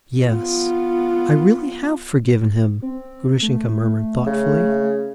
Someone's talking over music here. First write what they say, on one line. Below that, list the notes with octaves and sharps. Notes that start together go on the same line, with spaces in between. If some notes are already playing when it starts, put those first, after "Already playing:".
"Yes, I really have forgiven him," Grushenka murmured thoughtfully.
B3 F4
C4
A3
C#3